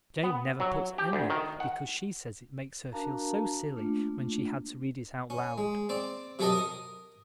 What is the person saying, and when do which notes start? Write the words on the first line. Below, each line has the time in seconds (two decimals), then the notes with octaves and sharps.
Jane never puts any because she says it makes her feel so silly when she had to read it out loud.
0.23 B3
0.60 F#3
0.98 G4
1.13 D2
1.30 D#3
1.60 F#5
2.93 D4 F#4 A#4 F5 A5 A#5
3.76 A3 A#3 D4 F4
5.30 C#4
5.58 G#3
5.89 C4 D5
6.39 C3 F#3 G4 A4 A#4 D#5
6.52 A#4 D#6